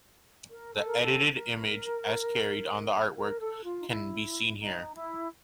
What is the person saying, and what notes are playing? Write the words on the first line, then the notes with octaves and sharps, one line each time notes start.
The edited image, as carried on the artwork, can be seen here.
A#4
A4
A#4
A4
A#4
A#4
A4
F4
D#4
E4
D#4
E4